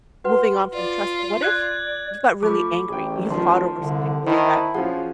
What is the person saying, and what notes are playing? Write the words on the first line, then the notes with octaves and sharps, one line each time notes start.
moving on from trust, what if you got really angry? You fought over something really bad.
F#4 B4 F#5 C6
F4 D5
D5 F#6 G#6
F3 A3 B5 C#6 D6
A1 G#4 G5
D#3 F3 A5 C6
C2 D3
D#3 E4 C5 A5
F3 C#4 F4 F#4 G#4 F#5